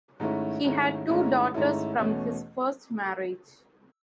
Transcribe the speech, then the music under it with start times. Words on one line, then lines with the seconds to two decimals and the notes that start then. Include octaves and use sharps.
He had two daughters from his first marriage.
0.20 G#2 D#3 A3 C#4 E4
0.65 G#2 D#3 A3 C#4 E4
1.09 G#2 D#3 A3 C#4 E4
1.54 G#2 D#3 A3 C#4 E4
1.98 E2 B2 A3 C#4